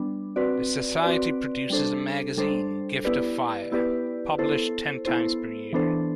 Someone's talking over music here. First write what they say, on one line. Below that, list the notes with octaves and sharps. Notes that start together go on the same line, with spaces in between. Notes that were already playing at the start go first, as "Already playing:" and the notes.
The society produces a magazine, "Gift of Fire", published ten times per year.
Already playing: G3 B3 D4
C4 F#4 B4 D5
C4 F#4 B4 D5
G3 D4 A4 C5
G3 D4 A4 C5
B3 E4 G4 B4 D5
B3 E4 G4 B4 D5
B3 E4 A4 C5
B3 E4 A4 C5
E3 B3 D4 A4 C5